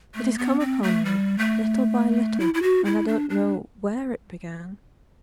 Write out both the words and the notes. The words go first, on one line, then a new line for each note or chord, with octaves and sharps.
It has come upon me little by little, and I don't know where it began.
A3
B3
C4
A3
G3
A3
E4
E4
F#4
E4
D4
D4